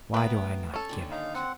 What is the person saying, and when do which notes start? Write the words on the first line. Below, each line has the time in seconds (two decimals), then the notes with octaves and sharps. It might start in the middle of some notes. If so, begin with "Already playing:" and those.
Why do I not give it?
0.14 A3 B3 B4 G5 A#5
0.74 C#4 A4
0.89 D#2 D3 D#3
1.11 D#4 F5
1.35 C4 F#5